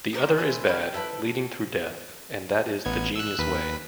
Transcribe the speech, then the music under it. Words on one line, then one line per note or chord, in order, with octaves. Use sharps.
The other is bad, leading through death, and that is the genius way.
D#4 C5 D5 D#6
E4 C5 G#5
F#4 B5 F6
G5
E4 A4 B4
A1 B3 G#6
E6 F#6
D#2 B4 B6